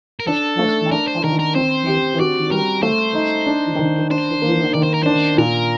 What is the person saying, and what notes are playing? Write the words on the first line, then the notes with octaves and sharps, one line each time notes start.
Test was not part of the pay-per-view broadcast but did wrestle on the pre-show.
A#4
D4 A4
A3
D4 A#4
C5
D#3 A#4
A#4
C4 C5
G4
F#4 D5
G3 A#4
A3 C5
D#4
D4
D#3
D4 C5
A#3
D#3 D5
C5
A#4
D4 C5
A#2 A#4